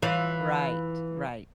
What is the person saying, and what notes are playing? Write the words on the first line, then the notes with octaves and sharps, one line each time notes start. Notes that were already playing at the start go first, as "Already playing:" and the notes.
Right, right.
E3 F4